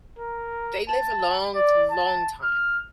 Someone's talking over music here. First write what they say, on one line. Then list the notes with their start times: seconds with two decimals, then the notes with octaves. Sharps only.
They live a long, long time.
0.19 A#4
0.89 A5
1.55 D5
1.91 A5
2.43 F6